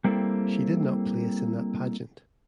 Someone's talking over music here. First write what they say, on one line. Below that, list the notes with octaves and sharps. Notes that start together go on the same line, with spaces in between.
She did not place in that pageant.
G3 A#3 C4 E4 A4